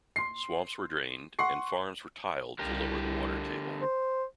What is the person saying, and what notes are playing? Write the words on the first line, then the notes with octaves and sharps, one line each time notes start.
Swamps were drained and farms were tiled to lower the water table.
C6 C7
F#5 C6 C#6 C7
C2 D3 G4 A#4
C5